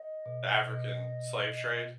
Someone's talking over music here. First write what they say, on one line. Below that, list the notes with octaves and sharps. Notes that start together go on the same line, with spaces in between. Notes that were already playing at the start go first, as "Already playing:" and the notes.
the African slave trade,
Already playing: D#5
B2
B2 D#5